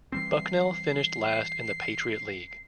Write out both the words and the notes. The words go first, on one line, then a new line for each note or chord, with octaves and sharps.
Bucknell finished last in the Patriot League.
E3 G3 C4 C7